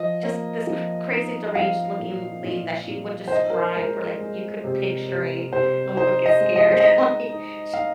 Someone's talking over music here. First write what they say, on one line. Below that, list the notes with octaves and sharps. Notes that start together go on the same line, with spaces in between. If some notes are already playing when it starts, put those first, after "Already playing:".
just this cr crazy deranged looking lady that she would describe where, like, you could picture it, and we would get scared, like, she'd
Already playing: F3 D#5
A#3
F3
D#4
F3 F5
A#2
A#2
A#2
C5
D#4 D#5
A#4
C5
G#3 A#4
G#3
C3
C3
C3 C5
D#4 C5
D#5
G#3
D#5
C5
D#5
D#4
D#4
D#4 F5